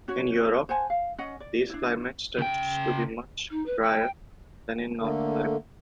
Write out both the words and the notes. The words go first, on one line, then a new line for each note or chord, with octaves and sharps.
In Europe, these climates tend to be much drier than in North America.
C#4 F#4 C#5
C5 F#5 G#5 A5
F5
C#4 D#5 F#5
D5
D4 E4
C#3 G5
D#4
B4
G5
D3 A3 A#3